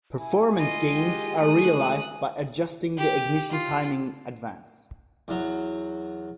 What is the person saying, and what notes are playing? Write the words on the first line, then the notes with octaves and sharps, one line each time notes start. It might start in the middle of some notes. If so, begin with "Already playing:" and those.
Performance gains are realized by adjusting the ignition timing advance.
E4 G#5
F4 D#5
G#3 G4
G#3 A3 D#6 F#6
G4
F4
E2 F#3